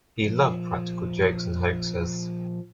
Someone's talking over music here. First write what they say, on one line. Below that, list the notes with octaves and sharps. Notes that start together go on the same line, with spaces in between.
He loved practical jokes and hoaxes.
A#2 F3